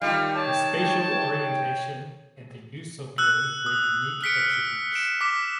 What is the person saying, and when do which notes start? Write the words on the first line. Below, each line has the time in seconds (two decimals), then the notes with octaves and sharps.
The spatial orientation and the use of blue were unique attributes.
0.02 D#3 G3 F4 F5
0.35 C#5 G5 A5
3.18 E6 F#6
3.66 D#6
4.22 F6 B6 C#7 D7
4.95 D7 E7
5.21 D6 B6